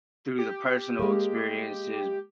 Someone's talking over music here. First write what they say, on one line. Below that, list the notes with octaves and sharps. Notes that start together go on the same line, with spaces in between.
through the personal experiences,
G4
G#3 A#3